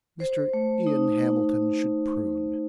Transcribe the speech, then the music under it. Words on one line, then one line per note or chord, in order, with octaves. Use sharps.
Mr. Ian Hamilton should prune.
C5
A3
D#4
D#4